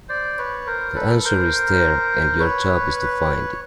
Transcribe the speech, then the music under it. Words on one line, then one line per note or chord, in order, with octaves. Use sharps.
The answer is there, and your job is to find it.
C5 D5
B4 C#5
A#4 C5
A4 B4
A#4 C5
B4 C#5